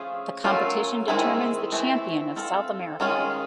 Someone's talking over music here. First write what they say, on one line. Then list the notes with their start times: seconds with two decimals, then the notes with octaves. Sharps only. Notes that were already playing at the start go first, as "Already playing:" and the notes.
The competition determines the champion of South America.
Already playing: F3 A3 C#4 F4 G#4
0.44 F#3 A3 C#4 F4 A#4
1.08 D#3 G#3 C4 E4 G#4
1.72 E3 A3 C4 E4
2.36 C4 F4 A4
3.00 D#3 G#3 C#4 F4 G#4